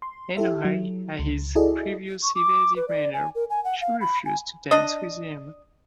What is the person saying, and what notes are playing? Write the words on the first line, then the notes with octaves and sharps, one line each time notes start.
Annoyed at his previous evasive maneuver, she refuses to dance with him.
C6
E4 G4 A4 E5
F#3
C#2
E4 F#4 G#4 A4 D5 D#5
C#6
D6
B4
D5
G#5
A#4
G#5
F#5
F5
B5
G#5
D4 D#5